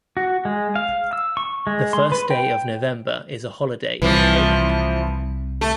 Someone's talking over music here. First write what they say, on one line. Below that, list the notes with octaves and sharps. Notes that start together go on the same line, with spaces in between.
The first day of November is a holiday in Poland.
F#4
G#3
F5
E6
C#6
G#3
C6
B4
G5
C2 E3 F3
A3